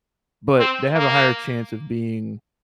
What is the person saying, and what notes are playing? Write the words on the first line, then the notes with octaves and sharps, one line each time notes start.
but they have a higher chance of being,
C4
A#3